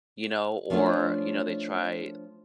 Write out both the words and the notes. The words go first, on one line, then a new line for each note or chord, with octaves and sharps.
you know or, you know, they try,
F3 A3 C#4 D4 F4